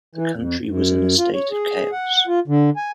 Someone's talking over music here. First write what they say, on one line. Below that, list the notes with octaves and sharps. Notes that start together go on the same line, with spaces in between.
The country was in a state of chaos.
E3
F2
F#2
F4
C#5
G#4
F#5
F4
D3
G#5